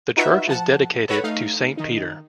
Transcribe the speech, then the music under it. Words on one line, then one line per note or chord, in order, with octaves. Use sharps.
The church is dedicated to St Peter.
D#4 F4 F#4 B4 E5
F3 F#5 A5
A4 B4 C#5 F#5 B5
A3 D#4 F5
D#3 D#4